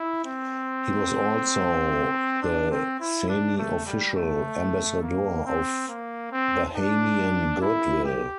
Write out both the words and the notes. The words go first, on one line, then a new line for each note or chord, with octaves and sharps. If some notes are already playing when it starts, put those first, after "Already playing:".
He was also the semiofficial Ambassador of Bahamian Goodwill.
Already playing: E4
C4
D4
C4
E4
D4
A3
G3
A3
A#3
C4
A#3
C4
D4
E4
G4